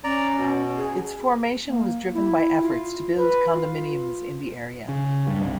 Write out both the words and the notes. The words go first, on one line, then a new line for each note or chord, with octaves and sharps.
Its formation was driven by efforts to build condominiums in the area.
C#4 D5 A#5
B2
G#4
A#3
E4
F4
B4
F4
C#3
G2
C2